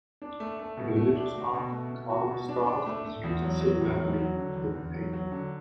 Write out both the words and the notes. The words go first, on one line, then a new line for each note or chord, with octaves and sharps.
In religious art, a crown of stars is used similarly to a halo.
D4
A3
A3
B2
A3
D4
F#4
B2
A3
B2
F#4
B2
D4
D4
A3
A3
E2
F#3
F#3
E2
F#3
F#3
D3
E2
E2
F#3
F#3
D3